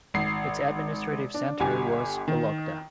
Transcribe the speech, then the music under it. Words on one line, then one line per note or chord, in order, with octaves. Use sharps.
Its administrative centre was Vologda.
G#1 C7
D4
G1 G4 G#5
D#3